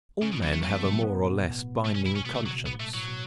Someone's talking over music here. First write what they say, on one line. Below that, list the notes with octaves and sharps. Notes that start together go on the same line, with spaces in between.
All men have a more or less binding conscience.
C#3 C#4
B2 B3
E3 F#3
E3 A3
F#3 A3
B3
B2
B3
A2
B2
A3
C#4
E4
C#4
B2 B3
C#3 A3
F#3
B2
A2 B3
B2 A3
A2 F#3
B2